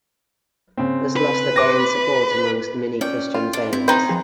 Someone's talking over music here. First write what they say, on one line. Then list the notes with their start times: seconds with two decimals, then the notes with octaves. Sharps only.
This lost the band support amongst many Christian fans.
0.77 C#3 C4
1.16 B4
1.56 C6 D6 A#6
3.01 C#4 D5 G5
3.34 F4
3.53 D4
3.73 C4 E4
3.88 C#4 D#4 B4 C5 G5
4.09 F3 G#4